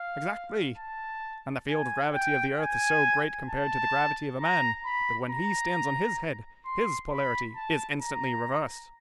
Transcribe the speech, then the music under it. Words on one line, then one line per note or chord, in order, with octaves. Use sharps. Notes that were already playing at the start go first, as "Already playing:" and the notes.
"Exactly, and the field of gravity of the earth is so great compared to the gravity of a man that when he stands on his head, his polarity is instantly reversed."
Already playing: F5
A5
G#5
G5
G#5
A5
A#5
B5
A#5
C6
B5
A5
A#5